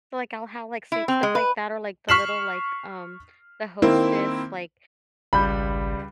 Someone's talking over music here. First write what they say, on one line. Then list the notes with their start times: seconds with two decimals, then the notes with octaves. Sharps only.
So like I'll have, like, sweet stuff like that or, like, the little, like, um, the Hostess, like,
0.92 E4
1.08 C4
1.23 G#3
1.35 B4
2.09 C#6 F6 B6 C7 E7 F#7
3.82 D#3 A#3 C4 E4
5.33 G#1 C#2 G3 B5 G6